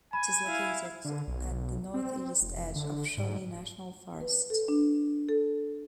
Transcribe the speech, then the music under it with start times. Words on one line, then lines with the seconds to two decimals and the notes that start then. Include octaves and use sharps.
It is located at the northeast edge of Shawnee National Forest.
0.13 G#5 B5
0.44 E4 F5
1.04 D3
1.27 B1
1.94 C4
2.41 F1
2.76 D3
3.17 G#2
4.21 B4
4.50 A4
4.68 D4
5.29 A4